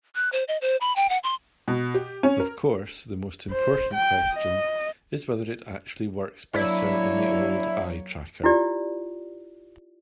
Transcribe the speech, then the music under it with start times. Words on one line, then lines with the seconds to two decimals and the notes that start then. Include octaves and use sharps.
Of course, the most important question is whether it actually works better than the old eye tracker.
0.15 F#6
0.32 C5
0.48 D#5
0.61 C5
0.81 B5
0.96 G5
1.10 F#5
1.24 C6
1.68 B2
1.94 G4
2.23 C#4
2.40 A#4
3.51 C5
3.94 G5
4.34 D#5
6.54 F#3 A#3 D4 E4 C#5
8.44 E4 F4 G4 D5